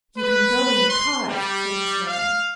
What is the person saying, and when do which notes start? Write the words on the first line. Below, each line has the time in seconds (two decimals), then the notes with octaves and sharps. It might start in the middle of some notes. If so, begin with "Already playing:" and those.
"You can go in the cars," said Miss Miller.
0.18 B4
0.89 C6
1.29 G3
2.07 F5